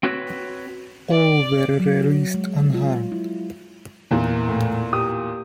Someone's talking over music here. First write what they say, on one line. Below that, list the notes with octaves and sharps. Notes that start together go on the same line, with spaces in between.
All were released unharmed.
C4 F#4 B4 C#5
D5
F#3
G#3
F4
E4
E2 A#2 E3
A2
G4 D#6